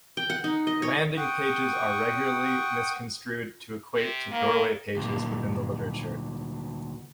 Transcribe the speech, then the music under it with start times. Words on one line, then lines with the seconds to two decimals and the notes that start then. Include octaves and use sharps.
Landing pages are regularly misconstrued to equate to Doorway pages within the literature.
0.17 G5
0.30 F#5
0.44 D#4
0.67 D#5
0.82 C#5
1.17 F#5 G5 C#6 D#6
3.95 C3
4.32 D#3 A#3
4.97 D2 A#2